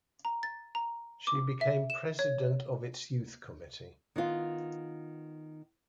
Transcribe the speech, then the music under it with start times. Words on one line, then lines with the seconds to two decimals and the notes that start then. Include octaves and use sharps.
She became president of its youth committee.
0.25 A#5
0.43 A6
0.75 A#5
1.27 D6
1.61 E5
1.90 E7
2.19 C#5
4.16 D#3 B3 F4